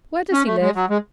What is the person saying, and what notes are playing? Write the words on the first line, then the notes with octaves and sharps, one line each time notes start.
Where does he live?'
C#4
A3
G#3
F#3
G#3